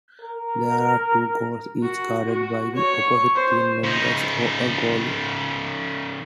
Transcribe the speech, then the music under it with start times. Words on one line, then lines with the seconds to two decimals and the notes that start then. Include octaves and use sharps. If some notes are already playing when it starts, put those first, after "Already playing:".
There are two goals, each guarded by the opposite team members or a goalie.
0.22 A#4
1.82 F#4
2.28 F#4
2.75 C#5
3.35 C5
3.83 C#3 D#4